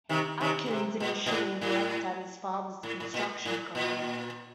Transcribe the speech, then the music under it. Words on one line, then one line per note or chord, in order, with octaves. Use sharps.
Atkins initially worked at his father's construction company.
C3 D#3
C3 D#3
C#3
C3
A#2
A#2
A2
A2
A2
A2
A#2
A2
A#2